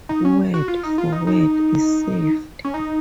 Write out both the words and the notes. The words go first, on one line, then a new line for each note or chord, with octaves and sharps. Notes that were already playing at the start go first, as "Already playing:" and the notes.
Word for word is saved.
D#4
C#4
F#4
F4
D#4
F4
D#4
D#4
C#4
D#4